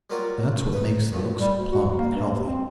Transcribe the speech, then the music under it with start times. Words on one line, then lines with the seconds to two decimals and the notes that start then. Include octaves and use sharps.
That's what makes them look so plump and healthy.
0.10 F#3 G3 A#3 F4 F#4 A#4
0.72 D#4 B4
1.12 D2 A#2 D#3
1.40 G3
1.58 D2
1.72 F#4
1.98 A#3
2.16 G2
2.27 D#2
2.47 C4